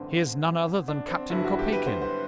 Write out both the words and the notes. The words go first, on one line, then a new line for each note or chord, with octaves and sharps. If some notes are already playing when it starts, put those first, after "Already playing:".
"He is none other than Captain Kopeikin."
Already playing: A1 G2 D3 C4
D4
C4
G1 G2 F#3 E4
F#4
G4
B4
C5
C5